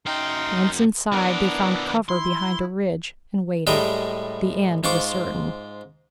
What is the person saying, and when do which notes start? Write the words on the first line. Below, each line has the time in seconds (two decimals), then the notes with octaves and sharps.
Once inside, they found cover behind a ridge and waited. The end was certain.
0.06 F#2 D#4 G5 C6 F6
1.12 E3 B3 D4 A#4
2.09 E4 C6
3.67 A2 G3 G#3 G5 A#5 D#6
4.84 G#2 F4 C5 C#6 D6